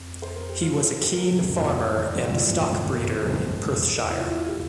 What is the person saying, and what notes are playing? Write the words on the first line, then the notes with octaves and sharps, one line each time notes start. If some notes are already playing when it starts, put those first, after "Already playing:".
He was a keen farmer and stock breeder in Perthshire.
Already playing: F2
C5
A#4
G4
F4
F4
F4
G4
A#4
A4
F2 G4
F4
A4
A#4
C5
D5
G2 C5
D5
F4
E4
F4
A4
F2 A#4
C5
E2 A4
G4
F2
G2
F2
E2
E4
F4
E4
F4
G4